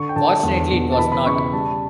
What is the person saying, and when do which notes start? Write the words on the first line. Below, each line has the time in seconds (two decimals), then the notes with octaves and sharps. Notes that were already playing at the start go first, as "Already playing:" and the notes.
Fortunately, it was not.
Already playing: D3 C#6
0.09 G5
0.16 D3 A5
0.43 E2
0.72 B2
0.92 A5
0.98 E3 B5
1.12 B5
1.26 C#3 C#6
1.39 B5
1.52 G3 A5